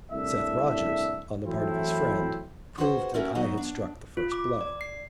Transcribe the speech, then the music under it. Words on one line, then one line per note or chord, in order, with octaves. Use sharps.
Seth Rodgers, on the part of his friend, proved that I had struck the first blow.
C2 A2 D4 E5
E3 F#3 A3 C4 E4
F4 F#4 G#4 B4 C5 F#5
A3 C#4 E4 F#4 A#4 D5
F#3 B3 D#4 F#4
D4
F4
D6
D5
C7